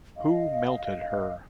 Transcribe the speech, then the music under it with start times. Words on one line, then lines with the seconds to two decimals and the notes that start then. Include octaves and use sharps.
Who melted her?
0.16 D#5 F5